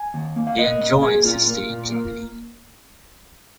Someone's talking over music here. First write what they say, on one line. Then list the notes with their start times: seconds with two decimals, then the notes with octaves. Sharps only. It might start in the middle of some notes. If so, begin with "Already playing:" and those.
He enjoys his stay in Germany.
Already playing: G#5
0.14 D#2
0.36 A#3
0.47 F5
0.59 A#3 D#5
0.80 A#2
1.03 A#3 G#4
1.25 A#2 F4
1.47 A#3
1.69 A#2
1.92 A#3